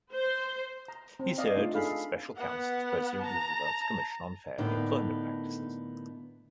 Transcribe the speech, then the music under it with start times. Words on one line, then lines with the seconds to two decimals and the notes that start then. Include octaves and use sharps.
He served as a Special Counsel to President Roosevelt's Commission on Fair Employment Practices.
0.13 C5
0.88 A#5
1.20 C4
1.38 D5 D#5 F5
1.56 A3 D4 D#4 F4
1.73 D4 D#4 G#4 A4 F5 B5
2.36 B3 F#5
3.21 A5 A#5
4.58 A2 D3 A#3 B3 D4 D#4